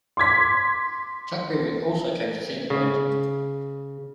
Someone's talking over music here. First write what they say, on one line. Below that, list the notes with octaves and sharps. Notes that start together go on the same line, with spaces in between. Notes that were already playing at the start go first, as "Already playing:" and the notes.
Chuck Berry also came to see the band.
C6 D6 G#6 B6
C#3